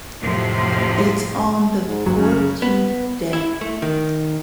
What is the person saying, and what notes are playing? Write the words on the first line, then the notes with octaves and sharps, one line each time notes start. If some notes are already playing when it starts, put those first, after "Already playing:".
It's on the fourteenth day.
F2 A2 C3 F3 F#3
G#2
F#1 D2 F#3
C#3
B3
E4
A3
D#3